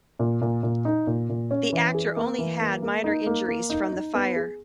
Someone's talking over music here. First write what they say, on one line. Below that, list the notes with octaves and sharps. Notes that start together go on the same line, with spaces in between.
The actor only had minor injuries from the fire.
A#2
A#2
A#2
D#4
A#2
A#2
C#4
E3
G#4
A#3
E3
A#3
A#3
D#4
A#3
A#3
D#4
D#4
B3
G#4